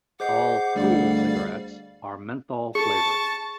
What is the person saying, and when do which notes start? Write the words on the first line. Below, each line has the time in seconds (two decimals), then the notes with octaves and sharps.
All Kool cigarettes are menthol flavored.
0.20 G#4 C5 D#5 F#5 D6 G6 C7
0.76 D2 G3 D5 F5
2.75 G#4 A5 C#6 A6